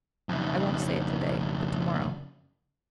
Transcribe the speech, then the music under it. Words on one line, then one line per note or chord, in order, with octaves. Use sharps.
I won't say it to-day, but to-morrow.
F2 C#3